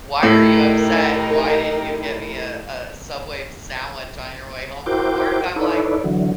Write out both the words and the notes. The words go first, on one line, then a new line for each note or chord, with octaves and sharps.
"Why are you upset? And why didn't you get me a a Subway sandwich on your way home from work?" I'm like,
A2 D#4 G4 A#4
E4 F#4 A#4 C5 G5 D6
D#4 E4 A4 B4 C#5 D5
D3 E3 F#3